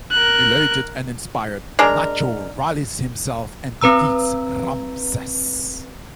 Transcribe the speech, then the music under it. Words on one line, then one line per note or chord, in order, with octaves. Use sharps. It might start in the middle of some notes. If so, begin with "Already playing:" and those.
Elated and inspired, Nacho rallies himself and defeats Ramses.
A#4 F#6
G#3 D4 A#4
C4 B4 A#5 E6